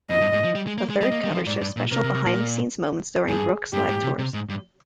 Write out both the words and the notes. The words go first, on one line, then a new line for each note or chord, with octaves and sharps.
A third cover shows special "behind the scenes" moments during Brooks' live tours.
F2 D#5
G2
G#2
F3
G3
G#3
A#3
G#3
G3 D#5
A#3
G3
D#3
F3
G#2 D5
G2
A#2
C3 A#4
C3
C3
A#2
G2 G#4
G2 G4
G#2
C3
C3
G#2
G2